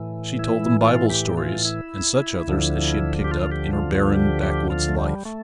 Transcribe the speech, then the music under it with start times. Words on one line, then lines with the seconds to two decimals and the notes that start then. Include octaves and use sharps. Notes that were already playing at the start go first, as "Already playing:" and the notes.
She told them Bible stories and such others as she had picked up in her barren, backwoods life.
Already playing: A2 E3
0.39 E4
0.81 F4
1.10 G4
1.37 F4
1.65 E4
2.47 D2 D3 F3
3.24 G4
3.31 F4
3.52 G4
3.73 F4
3.94 F4
4.14 G4
4.43 G4
4.70 F4
4.88 A3
4.98 G3
5.25 A3